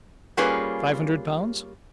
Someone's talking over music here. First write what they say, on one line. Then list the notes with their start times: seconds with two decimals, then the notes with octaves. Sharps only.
Five hundred pounds?'
0.37 G3 A#3 C#4 F4 G#4 B4